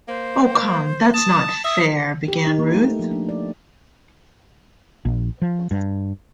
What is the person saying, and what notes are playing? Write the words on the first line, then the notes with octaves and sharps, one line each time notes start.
"Oh, come; that's not fair," began Ruth.
A#3 C5
A5 D#6
E5 D#6
G4
D#4
A#3
A3
F3
D4
D5
A#1
F3
G2